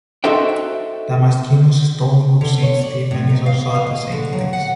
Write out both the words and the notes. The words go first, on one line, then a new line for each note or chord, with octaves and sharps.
Damaskinos’s "Stoning of Saint Stephen" is also at the same place.
D#4 F#4 A4 C5 E5 G5
D3
C#5
D5
A2
D#4
F5
F5
D#5
D3
F#3
F#5